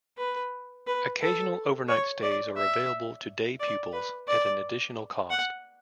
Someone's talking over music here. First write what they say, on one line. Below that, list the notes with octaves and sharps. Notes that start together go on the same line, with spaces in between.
Occasional overnight stays are available to day pupils at an additional cost.
B4
B4
A4
C#5
D5
E5
D5
B4
D5
F#5